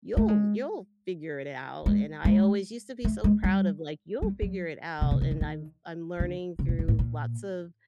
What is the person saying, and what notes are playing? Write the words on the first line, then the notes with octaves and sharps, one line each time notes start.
you'll you'll figure it out," and I always used to be so proud of, like, "You'll figure it out," and I'm f I'm learning through lots of
A3
G#3
G#3
G#3
A3
G#3
G3
G3
F#3
C3
C#3
C#3
D3
D#3
D3
C#3
B2
A#2
A2
A#2